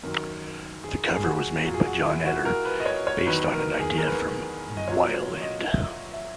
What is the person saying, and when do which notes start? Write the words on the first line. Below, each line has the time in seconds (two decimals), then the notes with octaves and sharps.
The cover was made by John Eder, based on an idea from Weiland.
0.03 F#2 D#3 F#3 A#4
0.84 G#4
1.14 G#4
1.24 F#4
1.65 A#2 F#3
1.74 G#4
1.86 F#4
2.05 E4
2.25 F#4
2.45 A#4
2.65 B4
2.80 D#5
2.86 C#5
3.07 C#5
3.26 E2 D#3 F#3 B4
3.53 A#4
3.80 G#4
3.98 A#4
4.07 B4
4.77 D#5
4.88 A#2 F#3 C#5
5.14 C#5
5.42 D#5
5.69 E5
6.14 E5